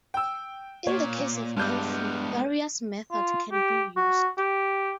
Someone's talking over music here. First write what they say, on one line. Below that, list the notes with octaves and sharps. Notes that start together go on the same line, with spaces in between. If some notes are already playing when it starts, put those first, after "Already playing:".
In the case of coffee, various methods can be used.
G5 E6
A#2 C#5
G2 G#3 B3 D4 G6
F4
G4
F#4
G4